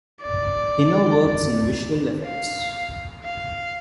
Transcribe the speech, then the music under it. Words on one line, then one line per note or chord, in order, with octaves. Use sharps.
He now works in Visual Effects.
D5
F5
F5